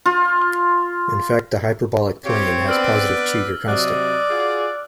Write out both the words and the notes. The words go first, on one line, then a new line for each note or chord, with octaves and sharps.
In fact the hyperbolic plane has positive Cheeger constant.
F4
C4 F4 G4 C#5
B3 D4 B4 D5 E6 F6
C3 F#3 D5 D#5 F#6
F4 F#4 G#4